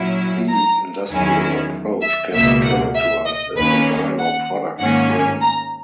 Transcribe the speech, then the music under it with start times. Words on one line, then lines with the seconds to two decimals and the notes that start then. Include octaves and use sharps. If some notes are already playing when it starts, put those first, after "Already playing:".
The industrial approach can be characterized as "design" or "product" driven.
Already playing: A#2 F#3 C#4 E4
0.48 A#5
1.10 E2 D#3 F#3 C#4 E4 G#5
2.02 E5
2.33 C#2 B2 A#3 E5
2.63 F#5
2.95 E5
3.26 D#5
3.56 D#2 D#3 A#3 C#4 B4
4.19 F#5
4.79 G#2 D#3 A#3 C#4 F#5
5.11 G#5
5.41 A#5